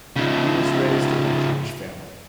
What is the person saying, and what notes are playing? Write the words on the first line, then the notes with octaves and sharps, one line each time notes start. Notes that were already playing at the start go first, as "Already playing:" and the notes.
He was raised in a Jewish family.
C#3 F3